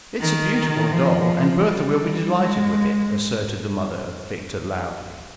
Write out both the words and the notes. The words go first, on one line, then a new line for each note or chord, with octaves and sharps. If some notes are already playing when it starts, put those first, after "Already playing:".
"It's a beautiful doll, and Bertha will be delighted with it," asserted the mother of Victor loudly.
D#3
F3
G3
G#3